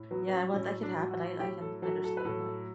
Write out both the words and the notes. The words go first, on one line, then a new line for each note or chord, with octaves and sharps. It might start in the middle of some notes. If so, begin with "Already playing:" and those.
Yeah. Well, that could happen. I I can understand that.
Already playing: A2
F#3 B3
B3
C#4
A2 C#4
D4
F#3
F#4
A2 G4
A4
F#3 A4
A4
B4
A2 A4